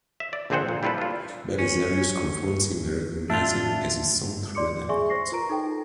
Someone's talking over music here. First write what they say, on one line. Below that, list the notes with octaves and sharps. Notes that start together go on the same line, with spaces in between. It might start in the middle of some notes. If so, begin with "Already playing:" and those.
Belisarius confronts him and recognizes him as his son through an amulet.
E5
D5
A#1 D3 C4 G#4 C5 F#5
A#2
G3 E4 F4 A4 B4
D4 F4
C#4
A2 D4 F4 E5 A5
D5 C6 D6 C#7
G#4 E5 G#5 C6 C#6
C5 C#6 A#6 C7
F4 A#4 B4 A#5 D7
D#4 A4 G5